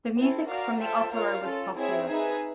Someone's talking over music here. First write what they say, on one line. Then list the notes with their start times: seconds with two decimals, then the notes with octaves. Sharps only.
The music from the opera was popular.
0.17 C4 E4 A4
0.49 F#4 A#4 D5 F5
0.80 F4 A4 C5 E5 G5
1.12 F4 A#4 C#5 F5
1.44 C#4 F4 A4
1.75 C4 E4 G#4 C#5 E5
2.08 D#4 G#4 B4 E5